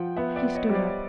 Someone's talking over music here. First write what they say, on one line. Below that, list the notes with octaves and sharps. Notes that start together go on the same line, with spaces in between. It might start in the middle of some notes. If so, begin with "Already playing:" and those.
He stood up.
Already playing: F3 F#5 G5
B3 E5 F#5
D5 E5
B3
C#5 D#5
G3
C5 D5